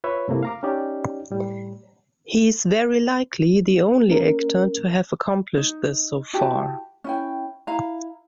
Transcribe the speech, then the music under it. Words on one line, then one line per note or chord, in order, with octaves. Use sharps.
He is very likely the only actor to have accomplished this, so far.
F4 B4 C#5 E5
G2 C3 A3 A#3 E4
F5 A#5 D6
C#4 D#4 G4 D5
A2 G3
A#3 C#4 A#4
D#4
E4 F#4 G4 A5
C#4 E4 G5
E4 F5 A#5